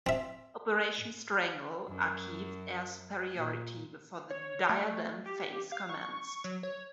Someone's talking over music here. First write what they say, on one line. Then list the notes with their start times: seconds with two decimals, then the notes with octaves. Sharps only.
Operation Strangle achieved air superiority before the Diadem phase commenced.
0.07 C4 E5
1.89 F#2
3.35 A#2
4.30 C#5
4.69 A3
5.26 G4
5.72 F5
5.89 C#6
6.24 C#6
6.44 F#3
6.63 C#5